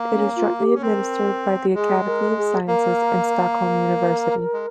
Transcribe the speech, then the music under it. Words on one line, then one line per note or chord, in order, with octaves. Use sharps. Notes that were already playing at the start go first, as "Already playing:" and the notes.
It is jointly administered by the Academy of Sciences and Stockholm University.
Already playing: A#3
C#4
F4
G4
C#4
C4 A#4
G#3 G#4
A#4
G#4
A#3 A#4
A#4
G#3